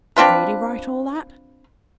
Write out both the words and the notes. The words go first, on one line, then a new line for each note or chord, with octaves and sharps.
Did she really write all that?
C4 D4 F4 B4